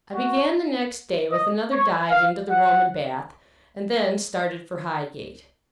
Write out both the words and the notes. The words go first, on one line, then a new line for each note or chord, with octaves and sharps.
I began the next day with another dive into the Roman bath, and then started for Highgate.
F#4
D#5
C#5
F5
F#5